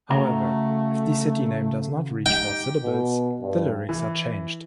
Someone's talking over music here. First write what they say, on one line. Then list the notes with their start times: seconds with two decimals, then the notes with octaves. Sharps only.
However, if the city name does not reach four syllables, the lyrics are changed.
0.11 C#3 A3 F#4 A#5
2.26 D#4 G4 G5
2.83 B2
3.41 G2
3.89 E3